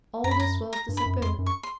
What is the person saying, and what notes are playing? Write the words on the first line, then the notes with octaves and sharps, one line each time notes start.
All this wealth disappeared.
F#2 A#5
B5
A#5
A#5
G2
B5
F#2
F2 C6
F#2
C#6
C6